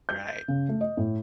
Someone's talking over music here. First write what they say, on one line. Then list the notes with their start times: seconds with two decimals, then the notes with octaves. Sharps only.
You're right.
0.09 G6
0.48 C#3
0.69 A3
0.81 D#5
0.97 A2